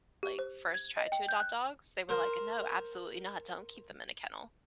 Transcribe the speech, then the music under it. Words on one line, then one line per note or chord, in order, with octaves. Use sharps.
like, first tried to adopt dogs, they were, like, "No, absolutely not, don't keep them in a kennel,
G4
C5
G#6
D#5
G5
G6
F#6
A#4 C5